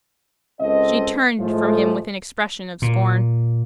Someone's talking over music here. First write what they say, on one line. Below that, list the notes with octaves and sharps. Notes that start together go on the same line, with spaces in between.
She turned from him with an expression of scorn.
C#2 C4 A4 D#5
A2 F3 G#3 A3
A#2